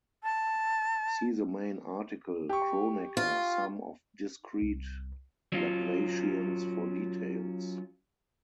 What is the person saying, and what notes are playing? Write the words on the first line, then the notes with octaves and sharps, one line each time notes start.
See the main article Kronecker sum of discrete Laplacians for details.
A5
G4 C#6
F4
C2
F#3 C#4 F4